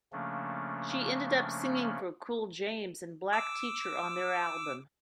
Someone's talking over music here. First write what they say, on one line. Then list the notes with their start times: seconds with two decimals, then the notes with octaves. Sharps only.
She ended up singing for Cool James and Black Teacher on their album.
0.13 C#3 F3 A3 A#3 C#4 D4
3.33 D6 E6